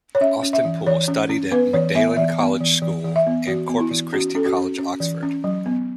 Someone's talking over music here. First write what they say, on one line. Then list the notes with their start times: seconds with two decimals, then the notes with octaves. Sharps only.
Austin Poole studied at Magdalen College School and Corpus Christi College, Oxford.
0.15 C#5
0.21 C#4 E5
0.43 C#4
0.53 E5
0.65 E3
0.86 E3 C#5
1.08 C#4
1.29 C#4
1.51 B3 B4
1.73 E3 C#5
1.95 B3 E5
2.17 E3 E5
2.39 B3
2.60 E3
2.82 E3
3.04 E3
3.16 E5
3.27 B3
3.47 E3 F#4
3.69 B3
3.80 E4
3.91 E3
4.13 C#4 F#4
4.35 C#4 A4
4.46 F#4
4.57 C#4
4.79 C#4
5.00 E3
5.23 C#4
5.44 F#3
5.66 B3